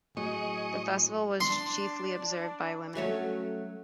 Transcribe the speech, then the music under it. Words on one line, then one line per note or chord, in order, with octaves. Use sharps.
The festival was chiefly observed by women.
A2 F#3 G#4 D#5 C#6
D4 C6
F#3 A3 C#4